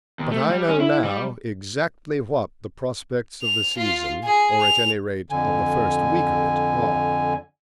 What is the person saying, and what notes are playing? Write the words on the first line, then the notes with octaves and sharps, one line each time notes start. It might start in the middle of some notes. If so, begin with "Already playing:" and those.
But I know now exactly what the prospects of the season--or, at any rate, of the first week of it--are.
D#2
A3
G3
C#4
E4
G3
F7
F4 F5
G#4
F7
F2 D3 G#5